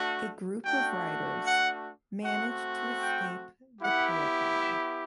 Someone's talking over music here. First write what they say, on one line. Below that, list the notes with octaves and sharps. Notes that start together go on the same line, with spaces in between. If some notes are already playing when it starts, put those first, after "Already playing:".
A group of riders managed to escape the peloton.
Already playing: A3 D4 F#4
A3 D4 F#4 G5
F#5
A3 C4 F#4 F#5
G5
B3 E4 G4 F#5
E5